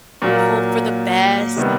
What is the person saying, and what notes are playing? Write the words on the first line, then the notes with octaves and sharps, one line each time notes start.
hope for the best.
A#2 F#3 A#3
C3 D#3 G3 B3